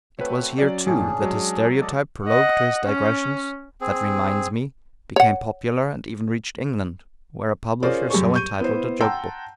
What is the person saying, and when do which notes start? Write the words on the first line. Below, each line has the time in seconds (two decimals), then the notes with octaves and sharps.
It was here, too, that his stereotyped prologue to his digressions--"That reminds me"--became popular, and even reached England, where a publisher so entitled a joke-book.
0.19 A3 C4 F#4 B4 C#5
0.58 F#3 C#4 D5
0.86 G#1 A2 C#4 D4 G#4
1.22 F#3 G#3
1.81 A4 D5 D#5
2.25 D#5 F#5
2.85 C#4
3.81 C4 G#4
5.16 C#5 F#5
7.82 C#4 F4 G#4 A#4 C5 D5
8.10 F#2 G3 G4 G#4 C#6
8.34 C#6 G6 D#7
8.60 B3 E4 C5
9.01 F#5 G5 A5 A#5 C6 E6